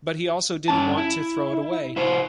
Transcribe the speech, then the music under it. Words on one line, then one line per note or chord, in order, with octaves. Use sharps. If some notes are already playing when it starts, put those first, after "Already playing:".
But he also didn’t want to throw it away.
G2 C#4 A5
E4
E4 F#4 C5